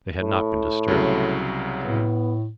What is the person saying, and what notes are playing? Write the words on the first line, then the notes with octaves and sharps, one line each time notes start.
They had not been disturbed.
A2
C2 C#3 F#3
A2 B3